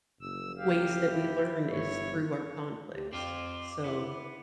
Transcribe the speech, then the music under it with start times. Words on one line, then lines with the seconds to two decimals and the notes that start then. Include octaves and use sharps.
ways that we learn is through our conflicts, so,
0.21 F#1 E6
0.58 G4 F5
1.09 E4
1.71 G1 C#5
2.94 D2 G4
3.13 F2 C4 F4 D6
3.84 B3 E4